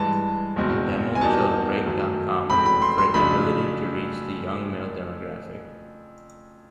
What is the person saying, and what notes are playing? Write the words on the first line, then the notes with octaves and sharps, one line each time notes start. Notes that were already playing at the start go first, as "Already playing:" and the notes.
Endemol chose Break dot com for its ability to reach the young-male demographic.
Already playing: G2 E3 G#3 A5
F#1 E2 B2 G#3 C4
G#5
E2 B2 G3 A#3 D#4 A5
F#2 D#3 F#3 A3
F1 E2 B2 G#3 C4 B5
B5
C6
C6
F2 C#3 F#3 A3 D4 B5